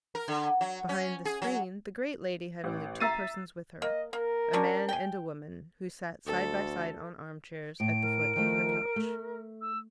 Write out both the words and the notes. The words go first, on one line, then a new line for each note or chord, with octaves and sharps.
Behind the screen the great lady had only two persons with her: a man and a woman, who sat side by side on arm-chairs at the foot of her couch.
A#4
D3
F#3
C#4
G#4
F#3
A1
E5 A#5 E6 A6 C7 D#7
A#3 D#5
A#3 A#4
G3 C#4 D4
G5 G#5
D2 A4
A2 D7
A#4
D#3 F3 A3
A3
E6